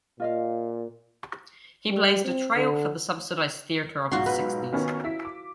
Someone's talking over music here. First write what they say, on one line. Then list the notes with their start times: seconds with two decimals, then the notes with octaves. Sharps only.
He blazed a trail for the subsidised theatre of the sixties.
0.20 A#2 F4 D#5 F5
1.89 G3
2.24 C4
2.55 D3
4.11 B1 G#2 F4 F#4 C6
4.26 B4
4.73 D#3 B3 C#4
5.04 E4 B6
5.25 D6